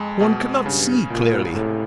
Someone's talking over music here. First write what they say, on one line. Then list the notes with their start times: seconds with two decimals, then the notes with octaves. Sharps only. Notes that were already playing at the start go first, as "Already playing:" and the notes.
One cannot see clearly.
Already playing: F2 G#3
0.20 B2
0.66 G2 C#3
1.10 C#2 A#2
1.54 A2 C3